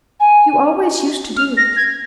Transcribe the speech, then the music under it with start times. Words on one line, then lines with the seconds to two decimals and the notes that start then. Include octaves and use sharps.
"You always used to do it."
0.20 G#5
1.37 F6
1.57 A#6
1.76 G#6